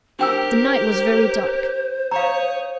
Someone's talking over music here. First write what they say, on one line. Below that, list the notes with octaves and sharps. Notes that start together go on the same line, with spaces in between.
The night was very dark.
D4 G4 A#4 C5 G5 E6
C#5 F5 A#5 D#6